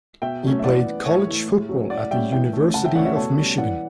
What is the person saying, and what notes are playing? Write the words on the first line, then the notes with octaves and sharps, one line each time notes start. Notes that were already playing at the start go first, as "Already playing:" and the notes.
He played college football at the University of Michigan.
B2 E5 G5
F#3 A3 C#4
E5
E3 D5 F#5
B3
A2 C#5 E5
E3 A3
A2
F#3 A3 C#4
A2 D5 F#5
G3 C#4 E5 G5
E3 E5 G5
A3 C#4
C#3 F#5 A5
E5 G5
E3 A3 C#4 D5 F#5
C#5 E5
B2 A4 C#5
G3 C#4
E3 D5 F#5